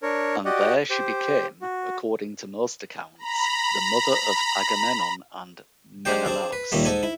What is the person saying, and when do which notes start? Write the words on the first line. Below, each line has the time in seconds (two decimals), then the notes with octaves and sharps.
And there she became, according to most accounts, the mother of Agamemnon and Menelaus.
0.03 D4 A#4 C#5
0.45 F#4 G4 D5 D#5 F#5
0.90 G4 C5
1.62 F#4
3.18 A#5 B5
6.05 G#3 D4 G4 C5 D5 G5
6.25 C4 D4 G#4 D5
6.53 B4
6.72 D#2 A#2 G3 A3
6.85 G#2 A4 G#5
7.03 E4